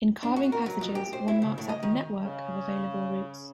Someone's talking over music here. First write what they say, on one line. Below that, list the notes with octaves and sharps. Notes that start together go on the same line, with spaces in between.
In "carving passages", one marks out the network of available routes.
D4
F#4
A#4
F#3
F2
G4
C5
E4
C#3
A2
D#5
D#3
C#3